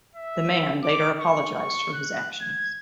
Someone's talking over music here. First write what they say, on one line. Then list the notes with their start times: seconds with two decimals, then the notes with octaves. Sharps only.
The man later apologised for his actions.
0.15 E5
0.83 D6
1.19 C#6
1.57 C#6
1.93 F#6
2.41 G#6